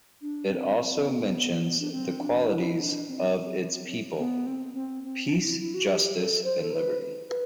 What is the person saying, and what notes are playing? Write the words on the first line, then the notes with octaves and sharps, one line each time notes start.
It also mentions the qualities of its people: peace, justice, and liberty.
D4
C4
C4
B3
D4
C4
D4
E4
E4
D4
D4
C4
B3
C4
C4
C4
D4
E4
E4
F#4
G4
A4
C5
A4
B4
B4